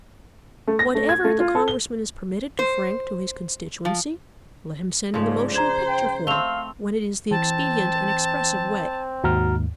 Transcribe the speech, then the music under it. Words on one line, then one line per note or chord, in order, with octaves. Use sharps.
Whatever the congressman is permitted to frank to his constituency, let him send in the motion picture form when it is the expedient and expressive way.
A3
A#6
A3
G#6
A3
F4
A4
G7
C5
F3
G#2 C#3 F3 D5
C5 A#5 G#6 E7
G5
A3 C4 F5 F7 G7
E3 C4 A5
D#2 G#2 F#4 A#5 F6